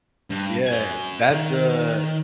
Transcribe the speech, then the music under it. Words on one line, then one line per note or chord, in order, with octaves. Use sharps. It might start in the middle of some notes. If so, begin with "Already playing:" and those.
Yeah. That's a
G2
F#4 G#5
D#3